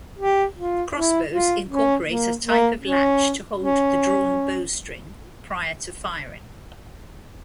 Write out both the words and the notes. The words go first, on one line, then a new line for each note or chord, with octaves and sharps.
Crossbows incorporate a type of latch to hold the drawn bowstring prior to firing.
G4
F4
E4
F4
C#4
A#3
A#3
C#4
C#4